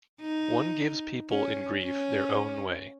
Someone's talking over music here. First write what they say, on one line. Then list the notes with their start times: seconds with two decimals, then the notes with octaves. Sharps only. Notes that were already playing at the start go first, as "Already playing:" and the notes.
One gives people in grief their own way.
0.21 D#4
1.30 C#4
1.84 C#4